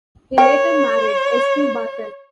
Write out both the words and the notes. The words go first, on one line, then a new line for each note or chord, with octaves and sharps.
He later married Esme Barton.
A#4 C#5 G5